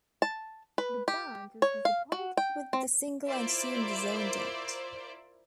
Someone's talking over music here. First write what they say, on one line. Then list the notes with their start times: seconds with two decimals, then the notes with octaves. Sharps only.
The band was disappointed with the single and soon disowned it.
0.22 A5
0.78 B4
1.08 G4
1.62 C#5
1.85 F5
2.12 F#4
2.37 G5
2.73 C4
3.27 E4 F4 A#4 C5 D5 E5